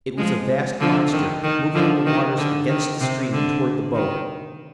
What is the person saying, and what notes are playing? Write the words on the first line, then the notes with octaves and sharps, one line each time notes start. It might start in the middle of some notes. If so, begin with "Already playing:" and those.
It was a vast monster, moving in the waters against the stream and toward the boat.
F3 G#3
D3 F3
D#3
D#3
D3 F3
D#3
D3
D#3
C3
D3
D#3